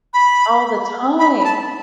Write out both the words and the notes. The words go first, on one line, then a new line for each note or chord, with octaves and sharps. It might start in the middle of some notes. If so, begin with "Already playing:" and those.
All the time.
B5
B5
B5
A5